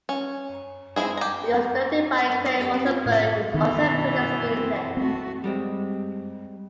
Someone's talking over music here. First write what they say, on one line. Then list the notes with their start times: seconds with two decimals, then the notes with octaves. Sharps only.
It was directed by Craig Rosenberg, who also penned the screenplay.
0.09 C#4
0.96 G#3 C4 E4 G#4
1.17 G4 A#5
2.32 A#4
2.45 D#5
2.61 G4
2.74 C4
2.86 F4
3.06 A2
3.54 D#3 E3 B3
3.88 B2
4.54 C4
4.97 A3 C4 F#4
5.44 G3 G#3 C4